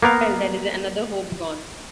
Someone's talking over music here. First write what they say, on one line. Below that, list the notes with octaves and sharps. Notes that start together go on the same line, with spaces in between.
Well, that is another hope gone.
A#3 B3 A#4 F5